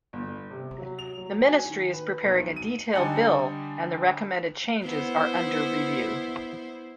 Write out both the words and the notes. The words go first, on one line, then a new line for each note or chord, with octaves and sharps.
The ministry is preparing a detailed bill and the recommended changes are under review.
G1
C3
F#3
F7
F#3
G#5
D#3
B4
B1
D#7
D3 G3 D#4 G#5 A5 C#7
B3 E4 C5